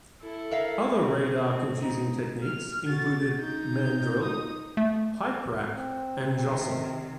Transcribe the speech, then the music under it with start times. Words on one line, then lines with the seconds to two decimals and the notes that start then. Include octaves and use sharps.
Other radar-confusing techniques included Mandrel, Piperack and Jostle.
0.22 E4 A4
0.51 A#4 E5 F5
0.93 C4
1.82 D#4
2.43 F6
2.87 F#4 A6
3.39 D#4 G6
4.22 D#4 D#6
4.77 A3
5.68 C4
6.45 C3 D#3